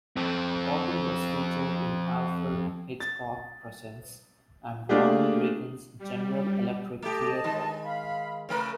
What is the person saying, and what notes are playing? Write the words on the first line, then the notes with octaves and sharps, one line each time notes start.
Cotten was featured in "Alfred Hitchcock Presents" and Ronald Reagan's "General Electric Theater".
F2 C4
A6
A3 A#3 D4 F4 G4 G#4
G3
A3 G4 D#5 A5
D#3 G#3
F5 B5
C#3 A3 A#4 B4